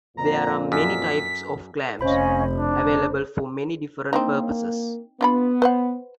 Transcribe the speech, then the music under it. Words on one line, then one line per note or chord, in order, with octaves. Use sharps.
There are many types of clamps available for many different purposes.
F2 A#2 A#5
F#2 B6
F1 C#4 C5 D#5 F5 B5
D4 D#4
A#3 C4 D4 D#4
B3 D4 F4 B5
B4 C5 F#5